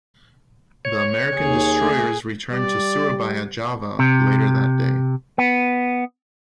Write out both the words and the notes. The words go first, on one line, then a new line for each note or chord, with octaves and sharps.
The American destroyers returned to Surabaya, Java, later that day.
C#5
D#2 G#4
A3
G3 D5
C3
B3